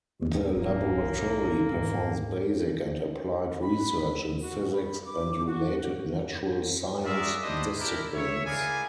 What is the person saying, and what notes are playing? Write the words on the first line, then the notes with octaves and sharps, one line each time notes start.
The laboratory performs basic and applied research in physics and related natural science disciplines.
D1 G#2 F#3 A#3
B1
G#2
B5
F#4
B5
D6
F#4
F4 F#4 G#4 A#4 D5 E5
D4 E4 G4 C5 D5 D#5
D4 E4 G4 A#4
C#5 E5
E4 G#4 A#4 D5 F5 G#5